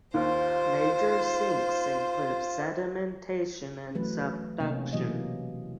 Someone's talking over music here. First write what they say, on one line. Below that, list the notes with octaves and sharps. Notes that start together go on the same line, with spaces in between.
Major sinks include sedimentation and subduction.
D#2 F4 C5
E3 F#3 A3 B4
C3 A#3 C#4
B2 E3 F#3 A#3 D#5